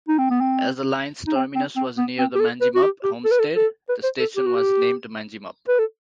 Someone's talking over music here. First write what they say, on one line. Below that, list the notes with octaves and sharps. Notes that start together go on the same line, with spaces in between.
As the line's terminus was near the Manjimup homestead, the station was named Manjimup.
D#4
C4
B3
C4
D#4
C4
C4
C4
B3
C4
G4
A4
B4
F#4
G4
G4
A4
B4
A4
A4
B4
C5
A4
G4
F#4
G4
B4
A4